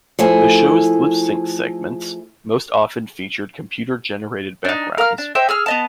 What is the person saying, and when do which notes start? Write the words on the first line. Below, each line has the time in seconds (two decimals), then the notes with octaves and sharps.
The show's lip-sync segments most often featured computer generated backgrounds.
0.19 F3 A3 E4 G#4
4.65 D4 D#4
4.98 A#4 F5 F6
5.18 D4
5.35 C5 D#5 E5 G5
5.49 G#4 E6 F6
5.66 B3 D#5 A5